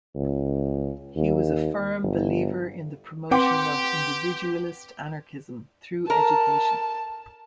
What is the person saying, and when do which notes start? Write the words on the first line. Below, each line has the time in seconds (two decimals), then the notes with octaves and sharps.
He was a firm believer in the promotion of individualist anarchism through education.
0.15 C#2
1.16 D#2
2.03 G1
3.31 C4 G4 B4 F#5 G5 C6 D6
6.10 A#4 A5